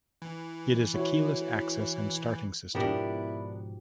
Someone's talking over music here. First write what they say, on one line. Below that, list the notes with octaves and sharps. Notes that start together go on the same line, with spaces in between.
It is a keyless access and starting system.
E3
E4 F#4 C#5
G#2 B2 F3 B3 D4 E4 G4 A#4